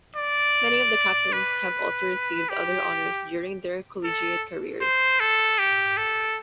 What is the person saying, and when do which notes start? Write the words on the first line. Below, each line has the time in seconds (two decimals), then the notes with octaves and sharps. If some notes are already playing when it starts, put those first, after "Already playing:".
Many of the captains have also received other honors during their collegiate careers.
0.16 D5
1.33 B4
2.49 G4
4.04 A4
4.81 C5
5.20 A4
5.59 G4
5.97 A4